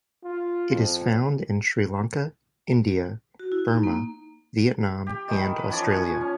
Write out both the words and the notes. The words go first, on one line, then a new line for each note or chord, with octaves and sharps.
It is found in Sri Lanka, India, Burma, Vietnam and Australia.
F4
F2
F#4
E4
D#4
A#3
G4
D#3 E3
B4
F3 C#4 D5
G#5 C#6
C#4